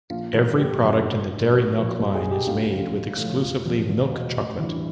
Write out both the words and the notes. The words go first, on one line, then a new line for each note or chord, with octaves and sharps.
Every product in the Dairy Milk line is made with exclusively milk chocolate.
A#1 F4
G#2 E3
F#1 G4
F#2 C#3
G#1
G2 D#3
B1 F#4
A#2 F3
C2
G#4
B2
G4
D2 F4
C#3 F3
A1
A2 F3
E1 F4
E2 C3 F3
E2
B2
A1
G2 E3